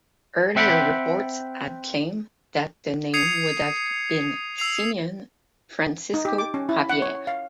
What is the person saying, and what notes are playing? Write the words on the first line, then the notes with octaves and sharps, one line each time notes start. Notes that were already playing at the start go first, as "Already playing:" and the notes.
Earlier reports had claimed that the name would have been Simeon Francisco Javier.
C4 E5 F#5 G5 A5 B5
D#6 G#6 C7 C#7 D#7 F7
E6 C7 F7
D#4
G4
D6
C#4
E4
F#5
C#5
F5